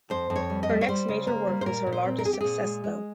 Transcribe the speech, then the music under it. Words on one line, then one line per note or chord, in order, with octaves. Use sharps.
Her next major work was her largest success though.
F2 C5
F2
C#5
G3
D#5
G3
C#5
G3 C5
C#3
A#3
G3
C5
A#2 A#4
A#2
C5
C4
A#4
C4 G#4
G4
A#2 G#4
G#3
G#3